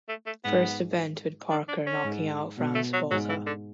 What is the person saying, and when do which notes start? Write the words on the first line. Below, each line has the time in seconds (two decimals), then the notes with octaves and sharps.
First event with Parker knocking out Frans Botha.
0.09 A3
0.26 A3
0.44 G#2 B3
1.51 D4
1.68 D4
1.87 C#4
2.04 G#2
2.57 B2
2.75 A3
2.93 F#3
3.11 G#2 F#3
3.29 E3
3.46 D3